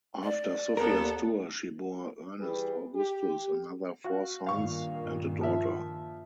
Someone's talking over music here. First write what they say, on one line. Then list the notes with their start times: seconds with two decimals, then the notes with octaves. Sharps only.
After Sophia's tour, she bore Ernest Augustus another four sons and a daughter.
0.24 D5
0.77 D#2 B3 A4 A#4
2.39 E3 G3 G#4 B4
2.96 G4
4.04 F#4 F5
4.46 G2 A#2 D#3 F5 C#6
5.41 F3 E5